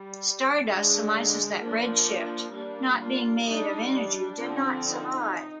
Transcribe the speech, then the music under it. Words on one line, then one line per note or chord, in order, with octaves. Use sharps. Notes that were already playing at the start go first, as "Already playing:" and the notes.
Stardust surmises that Red Shift, not being made of energy, did not survive.
Already playing: G3
D3 G#3 D4
F3 A#3 D4
D4
G3 A#3 D4
D4 F4
G3 D4 D#4
D4
D3 F3 C4
D#4